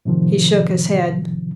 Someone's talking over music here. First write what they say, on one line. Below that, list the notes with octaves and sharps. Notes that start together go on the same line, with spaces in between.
He shook his head.
A2 C3 D#3 F3